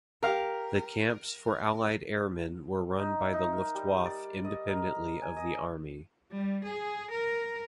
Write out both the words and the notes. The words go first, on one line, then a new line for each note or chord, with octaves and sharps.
The camps for Allied airmen were run by the Luftwaffe independently of the Army.
G4 A#4 F5 A#5
D#4
E5
D#4
A#4
G3
D5
D#5
A#4
G#5
D#5
G3
G#4
A#4